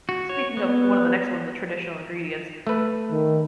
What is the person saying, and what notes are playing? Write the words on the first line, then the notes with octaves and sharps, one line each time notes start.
speaking of one of the next ones, the traditional ingredients.
F#4
C#5
B3
A3 B4
D#3